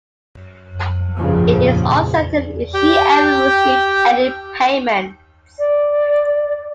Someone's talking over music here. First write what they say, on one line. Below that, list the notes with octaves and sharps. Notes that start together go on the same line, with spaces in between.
It is uncertain if she ever received any payments.
A#1 G2 C#3 F3
G4 G5
D5